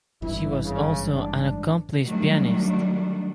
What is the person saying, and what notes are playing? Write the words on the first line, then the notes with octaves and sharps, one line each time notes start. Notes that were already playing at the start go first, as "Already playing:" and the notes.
She was also an accomplished pianist.
G#1 G2 E3 E4
C#3
D4
D#3 F#3 G3 A3 D4